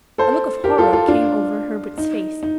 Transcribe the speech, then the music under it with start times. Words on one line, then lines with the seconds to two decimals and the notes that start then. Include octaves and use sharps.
A look of horror came over Herbert's face.
0.18 A4 C5
0.64 G4 A#4
0.78 F4 A4
0.93 F4 A4
1.08 D4 F4
1.98 D#4
2.43 D#4